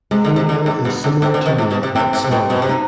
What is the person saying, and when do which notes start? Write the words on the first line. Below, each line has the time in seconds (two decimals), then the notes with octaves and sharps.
Female is similar to male but smaller.
0.11 C3 G#3
0.25 D3
0.36 C3
0.49 D3
0.66 G#2
0.84 G2 B3
1.04 G#2
1.22 G#2 C4
1.34 D3
1.46 D#3
1.58 G#2
1.71 B2
1.83 C3
1.95 G#2 C4
2.13 G#2
2.24 C3
2.31 B2 C4
2.50 B2
2.62 C3
2.69 D#4